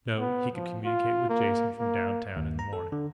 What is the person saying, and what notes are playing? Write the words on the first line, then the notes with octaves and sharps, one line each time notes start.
No; he could communicate with Jason from downtown in the morning.
B3
F3
F4
A#3
A#3
D#2
A#5
A4
D3